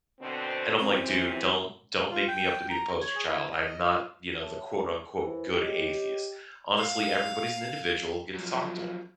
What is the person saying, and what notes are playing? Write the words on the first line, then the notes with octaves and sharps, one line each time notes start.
and I'm like, "Dude, don't don't make me up to be the poster child; I'm not, you know, the quote unquote 'good atheist.'" Honestly, everybody's an individual, get to talk to 'em.
B2 D3 C4
F#2 C3 E3 C4
F4
G5
A#5
C#5
G#4
E4
D#5
F4
C#5 E5 A5
E3 E4 A#4 C5
G4 C#5 D#5 G5
F5
F#2 F3